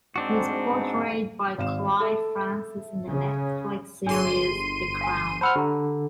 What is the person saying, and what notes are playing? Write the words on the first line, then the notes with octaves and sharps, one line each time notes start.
He is portrayed by Clive Francis in the Netflix series "The Crown".
G#2 C4 D4 F#4
G#1 F5 E7
A4 E5
C#3
G1 D4 G#4 C6 D#7
F5 G#5
C5 F#5 A5 B5 E6 F6
D3 G4 A#5